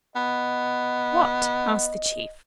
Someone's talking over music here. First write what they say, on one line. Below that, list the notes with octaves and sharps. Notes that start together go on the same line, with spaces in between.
"What?" asked the chief.
B3 D#5